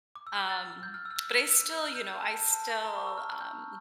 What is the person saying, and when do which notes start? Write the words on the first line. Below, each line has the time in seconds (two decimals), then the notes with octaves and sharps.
um, but I still, you know I still, um
0.15 D6
0.27 E6
0.38 F6
0.49 A6
0.83 G6
0.94 F6
1.05 E6
1.11 F6
1.16 E6
1.50 E6
1.84 F6
1.95 G6
2.06 G6
2.17 A5
2.51 A5
2.84 A#5
2.96 C#6
3.07 E6
3.18 F6
3.29 F6
3.40 G6